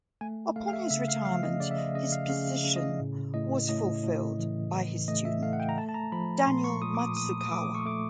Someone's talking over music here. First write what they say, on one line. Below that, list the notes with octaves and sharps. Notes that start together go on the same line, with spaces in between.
Upon his retirement, his position was fulfilled by his student, Daniel Matsukawa.
A3 G#5
A3 F5
F5
E5
C#3 E5
F5
F3 F5
D#5
C#3 D5
E5
D#5
C#3 D#5
F5
C#3 F5
C#3
D#5
A2
A2 D#5
A2 D#5
A2
E3
E3
A3 D#5
E5
A3 F5
F#5
G5
A#5
A3 A5
A5
A#5
F3 B5
A#2 C6
C#6
A#2 D#6
D6
D#6
A#2 D#6
D#6
A3 D6
C#6
A3 D6